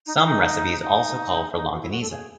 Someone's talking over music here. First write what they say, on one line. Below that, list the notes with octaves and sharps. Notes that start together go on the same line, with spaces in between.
Some recipes also call for longaniza.
D#4
E4
D#4
D#4
D#4
F#4
E4
F#4
A4
G#4